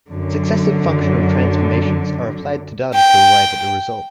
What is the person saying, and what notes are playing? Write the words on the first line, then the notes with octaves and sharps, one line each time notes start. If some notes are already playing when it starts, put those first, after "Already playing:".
Successive functional transformations are applied to data to arrive at the result.
F#2 D3
G5